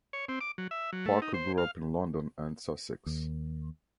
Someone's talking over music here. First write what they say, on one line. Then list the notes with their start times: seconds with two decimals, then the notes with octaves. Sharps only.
Parker grew up in London and Sussex.
0.13 C#5
0.28 C4
0.41 D6
0.58 F#3
0.71 E5
0.93 F#3
1.06 A3
1.22 D#4
1.34 C5
1.58 F5
3.06 D#2